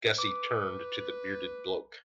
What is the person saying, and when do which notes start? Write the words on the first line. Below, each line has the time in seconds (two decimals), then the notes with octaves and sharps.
Gussie turned to the bearded bloke.
0.18 B4 D6